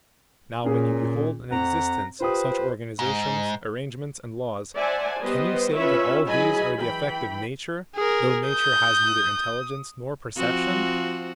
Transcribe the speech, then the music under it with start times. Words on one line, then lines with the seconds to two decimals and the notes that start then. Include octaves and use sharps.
Now, when you behold in existence such organizations, arrangements and laws, can you say that all these are the effect of Nature, though Nature has neither intelligence nor perception?
0.64 A#2 A#3 C#4 G#4
1.51 F2 C4 F#5 A#5
2.20 F4 G4 B4 C5 D#6
2.99 G#2
4.76 C5 D5 E5 F#5 G#5 A5
5.20 G3 B3 G4 B4 C5 D#5
5.75 C#4 F4 B4 C#5 E5 B5
6.26 F#3 E4 G#4 D#5 G#5 B5
6.77 E3 G5 B5
7.95 G#4 A#4
8.48 D#6 G6
10.37 F3 C4 F#4